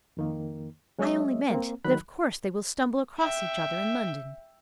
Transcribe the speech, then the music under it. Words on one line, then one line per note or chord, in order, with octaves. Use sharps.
"I only meant that of course they will stumble across each other in London."
F2 D#3 A#3
F#3 G#3 C#4 C#5 D#5 E5
A#3 C4
D#3 F#3 B5 F#6
E5 G5